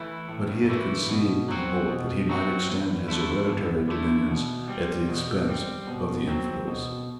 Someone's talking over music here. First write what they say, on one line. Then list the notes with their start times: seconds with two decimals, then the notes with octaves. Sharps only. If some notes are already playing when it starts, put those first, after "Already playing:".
But he had conceived the hope that he might extend his hereditary dominions at the expense of the Infidels.
Already playing: E3 A3 E4
0.29 A2
0.69 E3 A3 E4
1.09 B2
1.48 F#3 C4 F#4
1.88 B2
2.29 F#3 C4 F#4
2.68 E2
3.08 D3 A3 E4
3.48 E2
3.88 D3 A3 E4
4.28 B2
4.68 G3 C4
5.08 B2
5.47 G3 C4
5.87 B2
6.27 F#3 C4
6.67 B2